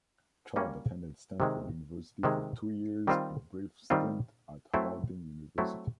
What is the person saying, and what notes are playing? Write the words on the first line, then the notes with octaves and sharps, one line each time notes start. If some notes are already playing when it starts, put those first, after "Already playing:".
Chad attended Stanford University for two years a brief stint at Harding University.
G3 A#3 C#4 F#4
C3 D#3 G#3
C3 D#3 G#3
D#3 G3 C4 F4
D#3 G3 C4 F4
F#3 A3 C4 E4
F#3 A3 C4 E4